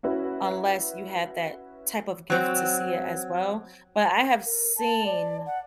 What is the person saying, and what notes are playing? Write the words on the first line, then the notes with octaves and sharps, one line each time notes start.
unless you had that type of gift to see it, as well. But I have seen
C#4 E4 F#4 B4
F#3 C4
A#4
A5
D5
F#5